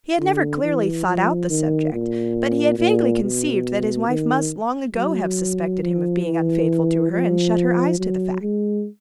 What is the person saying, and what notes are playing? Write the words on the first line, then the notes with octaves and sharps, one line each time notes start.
He had never clearly thought out the subject, but he had vaguely conceived that his wife must long ago have suspected him of being unfaithful to her, and shut her eyes to the fact.
D3
E3
F3
D#3
A#2
A#2
B2
D#3
F#3
F3
E3
F3
F#3
G#3